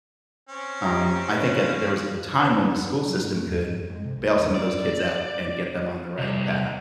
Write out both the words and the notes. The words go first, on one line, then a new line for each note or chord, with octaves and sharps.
um, I think a there was a time when the school system could bail some of those kids out, and get them on the right path,
C4 C#4
G4 E5 G5 A#5
E3 B4 C#5 F5 F#6
E2 B3
F#3
G#2
A3
E2
G#2
F#2
G#3
C3
C2
E2
D5
C3 G3